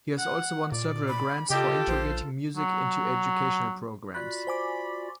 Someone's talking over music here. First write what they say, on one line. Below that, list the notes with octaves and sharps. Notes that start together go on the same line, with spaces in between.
He has also won several grants for integrating music into education programs.
F#5
A#2 D5
B5
C#3 F4 G4 A4 D#5
A#1 C5
F#3
F4 F#4 D5 B5 F#6
C5 G#5 D6